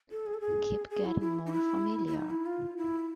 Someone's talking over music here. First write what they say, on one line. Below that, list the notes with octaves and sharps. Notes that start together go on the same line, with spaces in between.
Keep getting more familiar!
A4
G#4
A4
G#4
G#4
E4
E4
D#4
E4
E4
D#4
E4
F4
E4